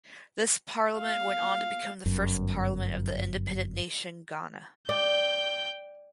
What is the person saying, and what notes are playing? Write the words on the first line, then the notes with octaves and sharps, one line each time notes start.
This parliament went on to become the first parliament of the independent nation Ghana.
F5
G1 F#2
D5 G5 G6